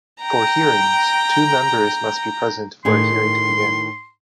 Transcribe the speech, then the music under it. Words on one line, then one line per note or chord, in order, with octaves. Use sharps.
For hearings, two Members must be present for a hearing to begin.
G5 A#5
A2 D#3 G#4 C6